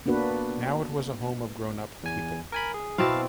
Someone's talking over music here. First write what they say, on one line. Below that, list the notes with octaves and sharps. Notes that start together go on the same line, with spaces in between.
Now it was a home of grown-up people.
A#3 B3 D4 F#4 B4
E2 G#5
A#4 G#5 B5
G#4
B2 C4 E4 F5 A5 A6